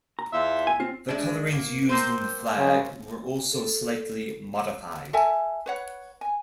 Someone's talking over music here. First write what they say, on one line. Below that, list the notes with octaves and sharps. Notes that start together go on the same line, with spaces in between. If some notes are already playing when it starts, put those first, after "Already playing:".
The colourings used in the flag were also slightly modified.
A#5
E2 F4 E5
G#5
C4 F4
G#3 D4
A#3
A#3 C4 C5
C#3
A4
A4 E5 G#5
B4 C#5 F#5
G#5